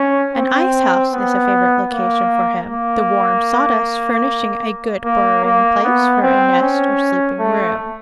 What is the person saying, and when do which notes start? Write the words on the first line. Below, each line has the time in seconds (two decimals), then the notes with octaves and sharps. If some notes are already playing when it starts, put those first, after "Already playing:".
An ice-house is a favorite location for him, the warm sawdust furnishing a good burrowing place for a nest or sleeping room.
Already playing: C#4
0.35 C4
1.14 B3
1.91 A#3
2.70 A#3
5.05 A#3
5.45 A#3
5.83 B3
6.22 C4
6.62 C#4
7.39 A3